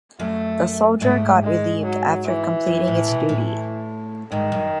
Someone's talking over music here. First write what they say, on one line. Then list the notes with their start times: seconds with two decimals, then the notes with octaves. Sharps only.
The soldier got relieved after completing its duty.
0.20 F#2 A3
1.02 G#2 A3
1.43 G#3
1.84 F#3
2.26 E3
2.67 F#2
2.88 A2
3.08 B2
3.29 A2
4.31 G#2 D#3
4.52 F#2